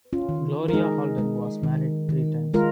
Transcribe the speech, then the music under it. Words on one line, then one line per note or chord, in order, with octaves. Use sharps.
Gloria Holden was married three times.
C#4 F4
D#3
A#4
G#3 D#4 G#4
G#3
D#3
D#3
G#3 F4 A#4